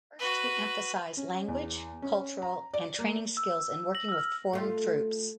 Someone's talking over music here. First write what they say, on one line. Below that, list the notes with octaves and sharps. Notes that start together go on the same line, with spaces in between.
The first two emphasize language, cultural, and training skills in working with foreign troops.
F#4 B4
C#4
E2
C#4
A#5
D5
A#3
E6
A#6 F#7
E6 F6
A3 F4